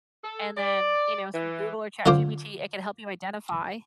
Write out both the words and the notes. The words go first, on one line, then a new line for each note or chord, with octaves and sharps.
and then, you know, through Google or ChatGPT, it can help you identify,
A4
D5
E3
D3 C#4 F4 C5 D6